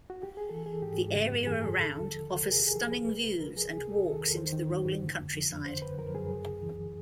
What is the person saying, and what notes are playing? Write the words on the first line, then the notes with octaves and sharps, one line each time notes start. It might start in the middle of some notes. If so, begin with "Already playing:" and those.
The area around offers stunning views and walks into the rolling countryside.
F#4
G4
G#4
E3 A4
E3 G#4
G#2 G4
G#2
C#3
F#2
E3 G#4
F#2 A4
D3 A4
D#2
F3
D#2
C3 A#4
G#4
C#2 G4
G#4
F3 A4
C#2 B4
C3
C#2
F3 A#4
C#2 G#4
C3 G#4
E2 A4
D#3 A4
E2 A#4
D#3 C5
D#3
G2
G2
D3
F2
F3
F2
D3 C5
F#2 B4
F3 A#4
F#2 G#4
C#3
C#2
E3